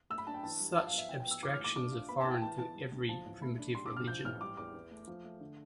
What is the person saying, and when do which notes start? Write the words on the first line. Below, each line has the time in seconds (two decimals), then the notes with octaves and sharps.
Such abstractions are foreign to every primitive religion.
0.10 A3 E6
0.18 B5
0.27 D4 A5
0.34 G5
0.43 E3 A5
0.60 G3
0.76 F3 A5
0.87 F5
0.93 B3 E5
1.09 F3 G5
1.20 G5
1.26 B3
1.31 E6
1.43 E3 D6
1.53 F6
1.60 A3 D6
1.76 D4 D6
1.92 F4
2.09 B3 B5
2.21 A5
2.26 E4 G5
2.42 E3 A5
2.58 B3 A5
2.75 G3
2.91 D2
3.09 F3 A5
3.25 A1
3.41 A3 B5
3.59 D4
3.74 G3 C6
3.86 D6
3.92 D4 F6
4.08 F3 G6
4.25 A1 F6
4.41 G3 D6
4.57 E2 D6
4.74 E3
4.91 A3
5.08 F3
5.24 A3
5.40 D3